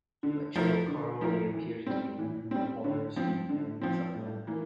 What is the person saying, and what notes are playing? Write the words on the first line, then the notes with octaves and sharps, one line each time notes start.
Lachele Carl reappears as the American reporter seen in "Aliens of London".
D3
F3 A3 E4 A#4
D3
F3 A3 E4 A#4
E3
G3 C4
E3
G3 C4
D3
F3 C4
D3
F3 C4
A2
E3 A#3